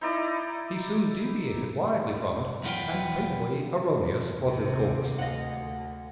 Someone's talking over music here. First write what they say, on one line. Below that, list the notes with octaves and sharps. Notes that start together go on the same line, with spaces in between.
He soon deviated widely from it--and fatally erroneous was his course.
D#4 E4 D5 D#5
B1 E2 B3 F4 G5
D#2 C3
D2 D#5 F5 F#5